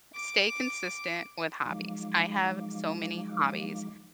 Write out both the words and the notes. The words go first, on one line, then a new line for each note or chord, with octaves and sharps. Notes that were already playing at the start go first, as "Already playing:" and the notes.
stay consistent with hobbies, I have so many hobbies.
D6
F3 F#3 G#3 D#4 F5 D6